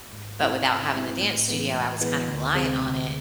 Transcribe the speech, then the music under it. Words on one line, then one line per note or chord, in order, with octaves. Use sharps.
But without having the dance studio, I was kinda relying on it,
G#2
G#3 C4 E4
G#2
G#3 C4 E4
A2
E3 G#3 B3
A2
E3 G#3 B3
D2
C3 G#3 C4
D2